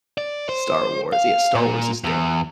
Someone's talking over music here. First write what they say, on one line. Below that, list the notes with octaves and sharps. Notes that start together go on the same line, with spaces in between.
Star Wars, yeah Star Wars is dope.
D5
C5
F5
A#2
E2